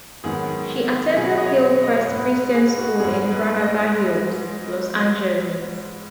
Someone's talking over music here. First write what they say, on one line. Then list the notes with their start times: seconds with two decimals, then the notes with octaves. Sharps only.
She attended Hillcrest Christian School in Granada Hills, Los Angeles.
0.24 G#2 D#3 F#3 B3 G#4
1.16 B2 F#3 B3 G#4
1.37 D#5
1.46 C#5
1.83 D#5
1.96 C#5
2.07 G#2 G#3 B3 B4
2.32 B4
2.54 G#4
2.78 F#4
3.00 G#2 G#3 B3 G#4
3.32 B4
3.61 D#5